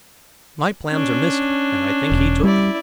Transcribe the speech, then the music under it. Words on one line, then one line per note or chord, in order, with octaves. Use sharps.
My plans are missing, and I think he took them.
C#4 D4
E1
G3 E4 D5